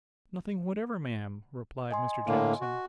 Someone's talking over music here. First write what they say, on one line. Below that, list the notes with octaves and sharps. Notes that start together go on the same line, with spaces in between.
'Nothing whatever, ma'am,' replied Mr. Jackson.
D#5 G#5 C6
A2 D3 A#3
F#4